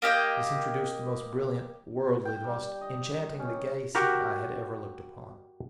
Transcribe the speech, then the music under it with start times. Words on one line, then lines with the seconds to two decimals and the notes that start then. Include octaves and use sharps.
This introduced the most brilliant, worldly, the most enchantingly gay scene I had ever looked upon.
0.02 A#3 G4 D#5 G5
2.25 G5
2.44 G3
2.81 D#5
3.19 D#3
3.39 C#4
3.95 F#4 G4 A#4 A#5